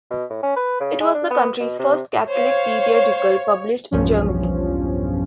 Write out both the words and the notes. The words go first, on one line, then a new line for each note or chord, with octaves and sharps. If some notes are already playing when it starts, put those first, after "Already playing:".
It was the country's first Catholic periodical published in German.
B2
A2
C#4
B4
C#3
G#3
D4
B3
B2
C3
C5 C#5 F5
B1 E2 G2 F3 C#4